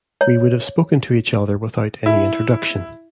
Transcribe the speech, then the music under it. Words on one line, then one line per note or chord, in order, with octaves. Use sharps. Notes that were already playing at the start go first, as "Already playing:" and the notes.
We would have spoken to each other without any introduction.
C#5
E4